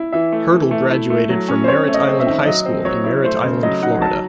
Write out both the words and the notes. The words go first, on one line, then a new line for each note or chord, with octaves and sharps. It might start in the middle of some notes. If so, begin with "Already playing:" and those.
Hurdle graduated from Merritt Island High School in Merritt Island, Florida.
Already playing: E4
E3 E5
A3
E3
A3
E4
A3
F#3
C#4
C5
C4 C#5
A3
D#5
C4
E5
D#3
F#3 D#5
C4
F#3 C#5
E4
A3 C5
C#3
F#3 D#5
D#4 F#5
F#3 A5